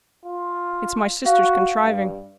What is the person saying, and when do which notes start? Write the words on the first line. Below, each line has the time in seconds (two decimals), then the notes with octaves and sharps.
It's my sister's contriving.'
0.25 F4
1.26 F#4 F5
1.81 G2